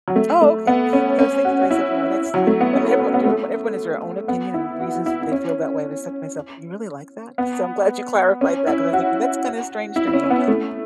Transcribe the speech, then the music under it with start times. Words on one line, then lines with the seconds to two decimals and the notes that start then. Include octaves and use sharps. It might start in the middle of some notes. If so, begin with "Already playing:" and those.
Oh, okay. 'Cause I was thinking to myself, you know, that's I I mean, everyone d everyone has their own opinion and reasons that they feel that way. I said to myself, "You really like that?" So I'm glad you clarified that 'cause I was thinking, "That's kinda strange to me."
0.08 F#3
0.16 A3
0.42 A3
0.67 B3
0.93 C#4
1.19 C#4
1.45 F#4
1.61 F#4
1.71 E4
2.34 F#3
2.47 A3
2.61 B3
2.73 C#4
2.99 B3
3.14 B3
3.25 A3
4.28 B3
4.54 E4
4.80 F#4
4.94 F#4
5.06 E4
5.22 E4
5.32 C#4
7.38 B3
8.41 C#4
8.67 E4
8.93 F#4
9.96 E4
10.07 E4
10.13 C#4
10.24 C#4
10.30 B3
10.48 A3